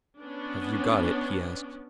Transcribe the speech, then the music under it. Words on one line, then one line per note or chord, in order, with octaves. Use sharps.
"Have you got it?" he asked.
B3 C#4 D4